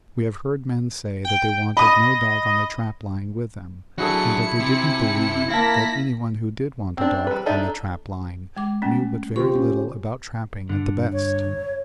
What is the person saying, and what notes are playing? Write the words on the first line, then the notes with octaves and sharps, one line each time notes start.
We have heard men say that they wanted no dog on the trap line with them, and that they didn't believe that any one who did want a dog on the trap line knew but very little about trapping at the best.
G5
D#5 B5 D#6
F#3 D4 E4 F#4 G#4 A4 C#7
C3
A#3 E4 F5 A5 A#6 B6
C4 D4
G3 B4
D4 D#4 A4 D5 E5
G#3 D6
A3 A#3 C#4
D3 F4 G4 C5 C#6
C#4
G2 D3
C#5